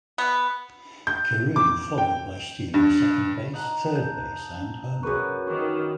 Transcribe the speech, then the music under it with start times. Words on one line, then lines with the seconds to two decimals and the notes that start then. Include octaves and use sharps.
Carew followed by stealing second base, third base and home.
0.18 B3
1.07 G6
1.56 D6
1.98 G5
2.74 G2
3.53 D#4 F#5 A5
3.96 G6
5.03 F#2 G#4 A#4 B4 C#6
5.47 D#3 C#6 D6